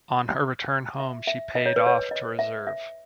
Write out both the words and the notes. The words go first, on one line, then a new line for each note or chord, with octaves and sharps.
On her return home she paid off to reserve.
E5
E5
D#5
C#5
B4
C#5
D#5
E5
E5